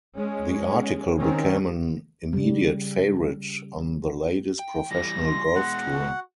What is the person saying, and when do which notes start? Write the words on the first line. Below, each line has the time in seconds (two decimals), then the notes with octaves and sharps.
The article became an immediate favorite on the Ladies Professional Golf Tour.
0.16 G#3 C#4
1.19 D#3 C4 C#4
2.33 C#3 G3
4.59 G5
4.91 E3 G3 A#6
5.26 C6
5.56 B2 G#3 F#5
5.92 F#4